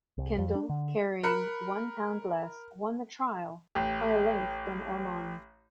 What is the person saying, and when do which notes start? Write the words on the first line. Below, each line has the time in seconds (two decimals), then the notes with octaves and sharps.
Kendal, carrying one pound less, won the trial by a length from Ormonde.
0.18 C2
0.38 F2
0.55 D4
0.69 D3
1.23 A#4 B5 F#6 C#7
3.75 A1 G4